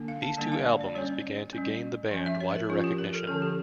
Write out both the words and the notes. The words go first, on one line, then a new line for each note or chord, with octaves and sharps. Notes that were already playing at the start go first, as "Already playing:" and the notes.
These two albums began to gain the band wider recognition.
Already playing: D3 A#3 D4
F5
A5
D3 G3 A#3 D4 A5
F5
D5
D5
G3 C#4 C#5
C#4
G3
F3 C#4
E5
C#5
A#4
F3 C#4 F4
G4
A#4
A4
D3 F3 C#4 A4
G4